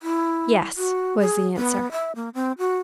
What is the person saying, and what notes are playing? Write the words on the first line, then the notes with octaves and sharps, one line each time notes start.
"Yes," was the answer.
E4
F#4
G#4
B3
E5
A#3
C4
F#4